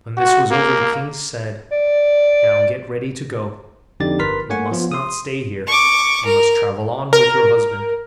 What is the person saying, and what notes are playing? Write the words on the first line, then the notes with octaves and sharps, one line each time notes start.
When this was over the king said, 'Now get ready to go--you must not stay here--you must travel on with your husband.'
F#4
A#3
D5
F2 D3 D#4 G4 D5 A6
G1 A#4 B4 C6 F6 B6
A3 A#3 C#5 F#5 G#5 C#6
F3 B3 F4
C6 D#6
C#6 D6
A#4
A#4